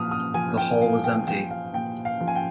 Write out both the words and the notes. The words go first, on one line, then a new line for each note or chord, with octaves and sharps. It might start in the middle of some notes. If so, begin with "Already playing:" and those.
The hall was empty.
Already playing: A#2 F3 D#6 F6
D#6
F3 G#5
G5
A#2 F5
G5
F3 G5
F5
A#2 G5
F5
F3
G#5
G5